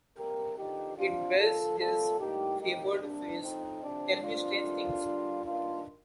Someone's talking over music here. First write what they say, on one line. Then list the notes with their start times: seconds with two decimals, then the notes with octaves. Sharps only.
It bears his favoured phrase "tell me strange things".
0.16 C3 G3 A#3 G4 A#4
0.57 D3 F3 A#3 D#4 G4
0.97 C3 F3 C4 D4 F4
1.38 D3 F3 A#3 F4 A4
1.79 C3 G3 A#3 F4 A4
2.19 A2 G3 A#3 D#4 G4
2.61 C3 D#3 A#3 D#4 G4
3.01 C3 G3 A#3 D4
3.42 A2 F3 A3 C4 D#4
3.82 C3 F3 C4 D4
4.22 G2 F3 C4 D4 F4
4.63 G2 D#3 A3 C4
5.04 D3 G3 A#3
5.44 G2 D#3 A#3 D4 F4